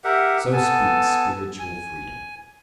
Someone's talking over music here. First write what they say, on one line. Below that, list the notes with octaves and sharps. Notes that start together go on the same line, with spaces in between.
So speaks "spiritual freedom."
G4 A#4 E5 F#5
B3 A4 G#5 A5
G#5